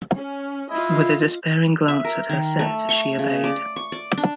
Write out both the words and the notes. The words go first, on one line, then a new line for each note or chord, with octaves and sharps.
With a despairing glance at her set, she obeyed.
C#4
E4 F4 D#5
E5
A#4
D#3
A3
C#6
C#3
D5
C#6
D5
D4